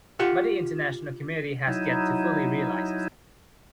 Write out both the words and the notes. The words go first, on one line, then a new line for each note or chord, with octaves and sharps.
But the international community has yet to fully realize it.
F4 G4 F#5
F#3 D#4 E4